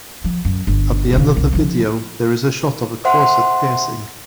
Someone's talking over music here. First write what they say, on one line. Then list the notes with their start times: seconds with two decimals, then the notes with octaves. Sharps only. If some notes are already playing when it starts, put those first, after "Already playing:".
At the end of the video, there is a shot of a Corset piercing.
0.24 F3
0.45 F#2
0.67 G1
1.13 E1 D#3
1.37 C2
1.53 C#3 F3
3.05 C5 E5 F#5 C6